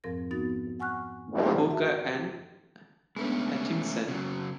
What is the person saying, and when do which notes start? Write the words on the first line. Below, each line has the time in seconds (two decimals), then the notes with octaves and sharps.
Hooker and Hutchinson.
0.04 F2 G#2 F3 C4 A#4 A#6
0.31 B3 D#4 F#4 A6
0.80 F#5 G#5 C#6 F6 F#6
1.71 F#4 G#4 A4 E5
3.16 G#3 A3 B3 C#4 D4 B4
4.08 C#3 F#3